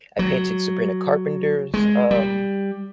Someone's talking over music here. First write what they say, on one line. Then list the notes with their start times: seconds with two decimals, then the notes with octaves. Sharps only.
I painted Sabrina Carpenter's, um,
0.19 F#3
1.74 G#3
2.11 G3